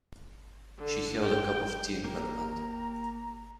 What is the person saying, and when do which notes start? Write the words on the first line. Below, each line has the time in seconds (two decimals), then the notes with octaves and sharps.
She held a cup of tea in her hand.
0.79 D3
1.23 G5
2.04 A#3 G4 A#5